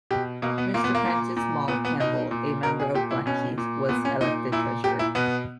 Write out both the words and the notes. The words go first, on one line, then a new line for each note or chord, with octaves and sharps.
Mr Francis Maule Campbell, a member of Blackheath, was elected treasurer.
B2 G4
B2 A#3
B3
A#2 A#3
B3
A#3
A#2
A#2
A#2 B3
B3
B2 D#4
A#2
B2 A#4
G#4
A#2 G4
E4
B2 C#4
A#2
A#2 B3
C#4
A#2 D#4
A#2 E4
A#2 G4
E4
B2 B3